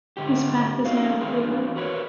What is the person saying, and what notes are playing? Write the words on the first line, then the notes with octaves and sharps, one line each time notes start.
His path is now clearer.
G#2 D3 G4
A3 C#4 D#4 F#4 F5
E3 A3 C4 D#4 G#4 A#4
E3 A#3 D4
F#4 A#4 B4 C#5